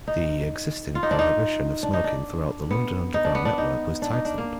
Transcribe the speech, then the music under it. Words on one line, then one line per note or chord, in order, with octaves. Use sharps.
The existing prohibition of smoking throughout the London Underground network was tightened.
D#4
F4
D#4
D4
D#4
D4
D#4
D4
B3
D#4
D4
B3
D4
D#4
D4
D#4
D4
A#3